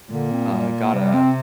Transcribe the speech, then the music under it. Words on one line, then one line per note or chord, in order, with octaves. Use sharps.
uh, got a
A#2 D3
C4
G3
A#3
C3 G3
C4